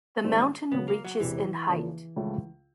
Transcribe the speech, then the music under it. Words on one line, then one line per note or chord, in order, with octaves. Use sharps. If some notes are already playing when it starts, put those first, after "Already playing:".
The mountain reaches in height.
A#1 G#2 D#3 G3 C4
C#2 C#3 F#3 B3
A#3
F#3
E1 E2 C3 E3
E2 C#3 F3 A#3
C#2 C#3 F3 A3